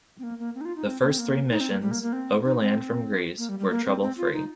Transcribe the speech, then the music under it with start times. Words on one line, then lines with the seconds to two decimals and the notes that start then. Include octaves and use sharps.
The first three missions, overland from Greece, were trouble-free.
0.19 C4
0.23 A#3
0.39 A#3
0.55 C4
0.61 D#4
0.65 F4
0.76 D#4
0.87 C4
1.02 A#3
1.10 C4
1.18 A#3
1.50 D#4
1.60 C4
1.71 A#3
1.81 G3
1.91 A#3
2.02 A#3
2.13 C4
2.44 D#4
2.60 C4
3.38 A#3
3.49 G3
3.59 G3
3.70 A#3
3.86 C4
4.01 C4
4.17 F4
4.33 D#4